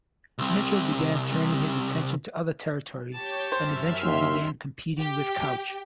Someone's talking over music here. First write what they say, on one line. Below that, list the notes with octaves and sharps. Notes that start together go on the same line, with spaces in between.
Mitchel began turning his attention to other territories, and eventually began competing with Couch.
C2 C3
G4 C#5 A5 G6
F#2 C5 E5 F6
D#2 C6
G4